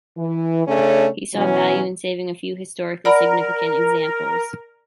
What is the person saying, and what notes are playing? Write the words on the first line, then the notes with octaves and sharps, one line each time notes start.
He saw value in saving a few historically significant examples.
E3
C#3 A3 C#4 D4
B2 E3 F#3 C#4
A#4 D5 F#5 B5